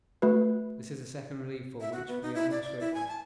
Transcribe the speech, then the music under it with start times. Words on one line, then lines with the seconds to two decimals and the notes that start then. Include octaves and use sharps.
This is a second relief for which we are most grateful.
0.22 A3 F#4 B4
1.80 E5
1.92 F#4
2.08 B3
2.22 D#4
2.34 E4
2.51 D5
2.63 D5
2.80 E4
2.94 G#5
3.08 A5